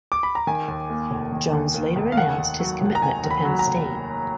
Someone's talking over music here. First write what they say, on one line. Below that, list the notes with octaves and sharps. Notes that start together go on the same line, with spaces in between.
Jones later announced his commitment to Penn State.
D6
B5
A#5
D#3 G#5
D#2
A#3
F1
D#3
D#2
A#3
F1
F5
D#3 F#5
D#2
F#3
F1
A#5
D#3 G#5
D#2
B5
F#3
A#5
F1